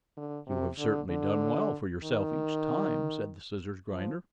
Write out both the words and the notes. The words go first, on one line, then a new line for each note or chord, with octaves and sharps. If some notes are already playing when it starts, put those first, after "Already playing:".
"You have certainly done well for yourself each time," said the scissors-grinder.
D3
C3
D3
D3
D#3
F3